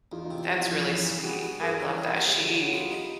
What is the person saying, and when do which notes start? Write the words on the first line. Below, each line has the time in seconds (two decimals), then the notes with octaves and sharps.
That's really sweet. I love that. She
0.12 E2 D#4 F4
0.25 D#4 F4
0.31 C3
0.50 F3
0.68 E2
0.87 G2
1.05 E3
1.23 G3 F#4 G#4
1.43 B3
1.61 G2 G#4 A#4
1.80 E3
1.98 G3
2.16 B3
2.24 G4
2.35 D3 F#4 G#4
2.54 F#3
2.72 B3 F4 G4
2.91 D#4